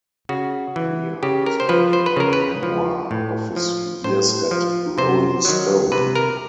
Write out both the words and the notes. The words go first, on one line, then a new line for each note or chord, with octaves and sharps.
Weir is working on a memoir of his years at Rolling Stone.
C#3 F#4
E3
C#3 G4
A#4
C5
F3 B4
C5
B4
C#3 A#4
B4
F3
A2
F3
A2 C5
F3
C3 C5
D#3 F#3
C3 B4
A#4